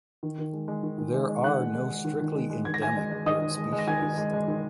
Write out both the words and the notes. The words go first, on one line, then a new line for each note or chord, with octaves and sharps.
There are no strictly endemic bird species.
D#3
D#3
G#3
G#3
D#3
D#3
G#3
G#3
D#3 F#5 F#6
D#3
G#3
G#3
D#3
D#3
G#3
G#3
D#3 G#6
A#6
D#3 G#5 G#6
G#3
G#3
D#3 D#5 D#6
D#3
G#3
G#3
A#6
D#3 G#5 G#6
D#3
G#3
G#3
D#3